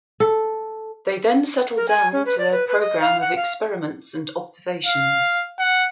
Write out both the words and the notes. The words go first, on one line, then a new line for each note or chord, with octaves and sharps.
They then settled down to their program of experiments and observations.
A4
A#4
G#5
C#4
B4
D5
B4
B4
D#5
F5
F#5
F5
F5
F#5